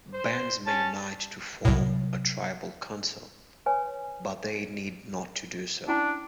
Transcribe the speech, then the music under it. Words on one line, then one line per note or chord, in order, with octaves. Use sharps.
Bands may unite to form a tribal council, but they need not do so.
C5
C#4 A5
C2 A2 C3 F#3
B4 C#5 G#5
C#4 D4 E4 A#5